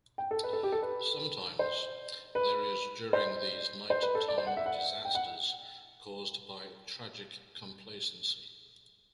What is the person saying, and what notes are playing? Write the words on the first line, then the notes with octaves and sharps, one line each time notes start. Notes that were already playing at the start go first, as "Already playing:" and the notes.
Sometimes, there is during these night-time disasters caused by tragic complacency.
G5
A4
B4
A4
G4
A4
B4
C5
B4
C5
C5
B4
A4
D5
C5
F#5
E5
F#5
G5
F#5